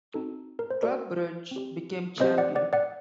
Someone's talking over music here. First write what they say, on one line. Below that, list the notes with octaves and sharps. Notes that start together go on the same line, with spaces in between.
Club Brugge became champion.
C4 D#4 F#4 A4
A#4
C5
A#3 F#4 A4 A#4 D5
C4 G4
C4 G4 C5 D#5
D5 F#5
D5 F#5
D5 F#5